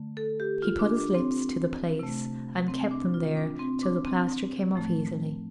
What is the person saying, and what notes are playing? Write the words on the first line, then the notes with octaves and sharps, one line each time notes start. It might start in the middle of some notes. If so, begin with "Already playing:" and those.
He put his lips to the place and kept them there till the plaster came off easily.
Already playing: D3 A3
A4
G4
F4
D4
D4
C4
C3 A3
C4
D4
F4
D4
C4
D4
C4
A2 F3 A3